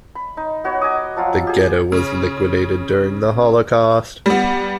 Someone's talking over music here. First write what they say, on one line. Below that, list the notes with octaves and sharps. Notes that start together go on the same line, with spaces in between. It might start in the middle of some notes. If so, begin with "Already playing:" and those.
The ghetto was liquidated during the Holocaust.
B5
D#4
B3 F#4 C#5
D#5 G#5 D6 D#6
F3 F#3 F4
G4 G#4
C#3
G3 B3